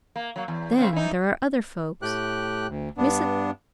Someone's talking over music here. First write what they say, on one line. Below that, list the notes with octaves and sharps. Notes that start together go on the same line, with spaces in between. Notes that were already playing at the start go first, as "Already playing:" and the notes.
Then there are other folks--Mrs.
A#3
F#3 A#3
E2
C#3 C4
E3 D#4
A2 A3 G4 G5 F#6
D2
G2 B3 D4